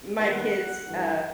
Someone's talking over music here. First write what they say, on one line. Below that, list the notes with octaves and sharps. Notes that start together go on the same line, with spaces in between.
my kids, uh
D#2 D#3 G3 B3 F#5
G2 E3 A3